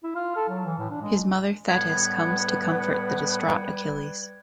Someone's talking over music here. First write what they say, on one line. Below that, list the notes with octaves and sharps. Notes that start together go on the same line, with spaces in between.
His mother Thetis comes to comfort the distraught Achilles.
E4
F4
A4
F#3
E3
A2
D4
G#3
A2 G3 B3 B4 F#5 G#6